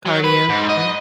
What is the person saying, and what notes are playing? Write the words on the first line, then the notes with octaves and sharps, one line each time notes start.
Cardio? No.
F#3
B4
G#2
D#5